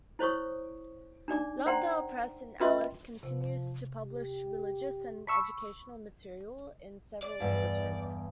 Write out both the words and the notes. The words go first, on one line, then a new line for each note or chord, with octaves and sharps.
Lovedale Press, in Alice, continues to publish religious and educational material in several languages.
E4 C5 C#5 C#6 D#6
D4 D#4 D5 D6
C5 D5 F#5 G5 A#5 C6
C#4 F4 B4 D#5 E5 C6
C3 F3
G4
A5 B5 C#6 E6
D5
E2 G2